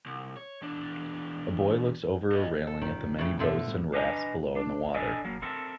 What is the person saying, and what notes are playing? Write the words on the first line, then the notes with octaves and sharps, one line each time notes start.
A boy looks over a railing at the many boats and rafts below in the water.
C2
C#5
E2 D4
A4 D#5
A4
F#1 F2 A#2 D#3
A2 C#3
F#2 B2 D3 F3 A3
A2 G3 B3
D4 B4 D#5 G#5 A#5
D4
D4 A4 D5 D#5 G#5
F#3 A#3
C4 A4 A#4 E5